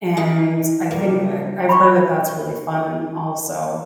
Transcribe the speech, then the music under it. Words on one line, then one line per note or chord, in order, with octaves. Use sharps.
and I think I I've heard that that's really fun and also
D#4 A#4
C#3 F3 G3 A#3
B5 C#6